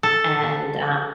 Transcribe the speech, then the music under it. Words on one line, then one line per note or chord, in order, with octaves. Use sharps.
and, um
A4